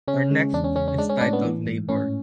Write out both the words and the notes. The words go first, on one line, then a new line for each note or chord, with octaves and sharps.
Our next book is titled "Labor".
C#3 C#4
G#3
E2 D4
C#4
C#3 C#4
C#4
G#3 D4
C#4
A2 D4
B3
E3
G#2
A2 C#4